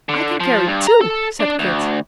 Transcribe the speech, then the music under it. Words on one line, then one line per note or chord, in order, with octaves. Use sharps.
"I can carry two," said Kit.
D3
F3
G2
A#5
A4
D4
D2